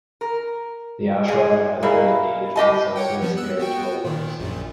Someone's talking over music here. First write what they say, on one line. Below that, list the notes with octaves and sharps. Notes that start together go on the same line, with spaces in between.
The ashram has been engaged in socio-spiritual works.
A#4
G#3 G#4
B2 A#3 E4 G#4
A2 G4 D#5 A5
C#5 F#5 G5
F3 G3 B3
E6 F#6
B3 F#4 G5
A#2 D#3
A#1 F#2 A#2